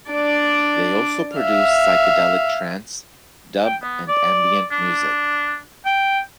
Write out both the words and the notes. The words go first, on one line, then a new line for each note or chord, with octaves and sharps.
They also produce psychedelic trance, dub and ambient music.
D4 D5
E5 F5
G5
B3
D5
D4
G5